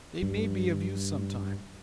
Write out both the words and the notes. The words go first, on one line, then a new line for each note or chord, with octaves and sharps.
They may be of use some time.
G2